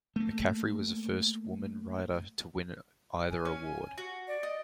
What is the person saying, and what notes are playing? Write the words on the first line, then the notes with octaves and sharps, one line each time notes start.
McCaffrey was the first woman writer to win either award.
A3 A#3
G#5
C#4
F#4
D5
D#5